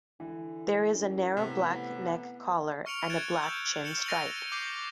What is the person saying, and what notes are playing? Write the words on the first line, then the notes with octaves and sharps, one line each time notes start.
There is a narrow black neck collar and a black chin stripe.
D3 E3
F#2
A2 C3 B3
C#6 F6 C#7 D7 F7 F#7
F#6 G#6 A6 D7 E7
E6 G6 E7 F#7
F6 C#7 E7 F#7 G7
A6 A#6 D7 D#7 F7 F#7
D6 G6 C7